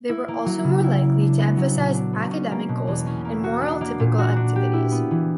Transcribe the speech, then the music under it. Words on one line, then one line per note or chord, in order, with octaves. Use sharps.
They were also more likely to emphasize academic goals and moral typical activities.
E4
A#3
F#3
C#3
E4
A#3
D4
B3
F#3
A#2
D4
B3
C#4
A#3
B2
E2
C#4
A#3
F#4
D4
A#3
A#2
F#4
D4
G4
E4
B3
E3